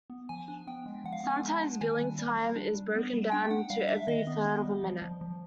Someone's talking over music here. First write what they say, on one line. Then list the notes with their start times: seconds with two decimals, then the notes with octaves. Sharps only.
Sometimes billing time is broken down to every third of a minute.
0.10 B3
0.29 F3 G#5
0.48 D4
0.67 B3 G5
0.86 G#3
1.04 F3 F#5
1.12 F5
1.20 F#5
1.24 B3
1.30 G#5
1.42 G#3
1.56 A5
1.62 D4
1.81 D#3 G#5
1.99 G3
2.19 G3
2.38 G3
2.56 D4
2.75 G3
2.95 B3
3.13 G3
3.32 D4 G5
3.51 D4 F#5
3.70 G3 F5
3.89 D4 E5
4.07 D#3 D#5
4.27 B3
4.45 B3
4.65 G3
4.83 F3
5.02 F3
5.21 F3